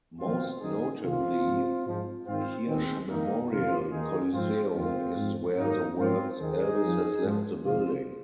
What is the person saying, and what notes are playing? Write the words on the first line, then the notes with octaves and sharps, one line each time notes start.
Most notably, Hirsch Memorial Coliseum is where the words Elvis has left the building!
F2 D#3 C4 F4
D#2 D#3 D#4 G#4
C2 C3 D#3 C4 F4
G#2 F3
G#2 F3
G#2 D#3 C4 F4
D#2 D#3 G#3 C4
F2 D#3 A#3 D#4
F2 C3 D#3 C4 F4
D#2 D#3 D#4 G#4
G#2 F3 C4 F4
F2 D#3 C4 F4
G#2 F3
G#2 D#3 A#3 D#4
G#2 F3 C4 F4
D#2 D#3 D#4 G#4
F2 F3
G#2 F3
F2 C3 D#3 C4 F4